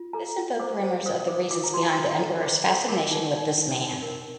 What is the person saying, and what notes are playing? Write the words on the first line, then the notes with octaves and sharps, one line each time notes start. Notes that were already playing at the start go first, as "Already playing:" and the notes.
This invoked rumours of the reasons behind the emperor's fascination with this man.
Already playing: F4
A4 A#5
F4
C5 D6
C5
C5 D#6
C5 D6
F4 D6
A#5
F4 C6
F4 A#5
A4
C5 D6
A4
A#4 D6
D#4
D#4
D#4
D#4
A#4